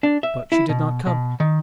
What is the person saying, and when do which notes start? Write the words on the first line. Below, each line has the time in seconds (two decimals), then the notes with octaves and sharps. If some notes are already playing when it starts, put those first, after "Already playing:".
But she did not come.
0.03 D4
0.23 E5
0.52 E4
0.69 B2
1.06 B2
1.40 D#3